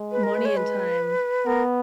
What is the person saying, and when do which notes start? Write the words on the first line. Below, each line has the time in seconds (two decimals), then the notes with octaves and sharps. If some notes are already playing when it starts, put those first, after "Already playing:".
money and time,
Already playing: G#3
0.12 B4
0.23 A#4
0.34 B4
0.45 C#5
0.57 B4
1.46 B3 A#4